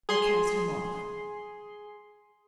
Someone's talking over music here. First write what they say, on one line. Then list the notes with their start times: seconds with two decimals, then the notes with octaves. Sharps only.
I cast him off.
0.09 G#4 C6